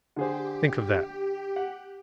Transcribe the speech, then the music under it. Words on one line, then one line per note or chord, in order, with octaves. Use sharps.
Think of that!
D3 G4 G#4 C5
F#5